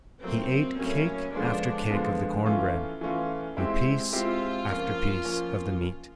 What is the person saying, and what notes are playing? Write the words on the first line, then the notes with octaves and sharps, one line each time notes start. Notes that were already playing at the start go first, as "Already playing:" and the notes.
He ate cake after cake of the corn bread and piece after piece of the meat.
A2 F#3 A#3 C4
A2 F#3 A#3 C#4
D3 F3 G#3 B3 D4
D3 F3 G#3 B3
E3 A3 C#4 F4
E3 A3 C#4 F4
G#3 C4 E4 G4
G#3 C4 E4 F4 G4
F3 A#3 C#4
F3 A#3 C#4